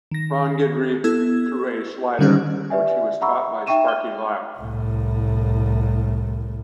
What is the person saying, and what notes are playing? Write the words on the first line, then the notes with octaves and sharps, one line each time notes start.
Ron Guidry threw a slider, which he was taught by Sparky Lyle.
D#3 A#6
B3 E4 A4 E6 G#6
D3 D#3 G3 C#4 D#4 G4
G4 B4 D5 E5 G#5
E5 F#5 A#5 B5 C#6 E6
D#4 E5 G5 C#6 D#7 E7
F6 G7
C2 A2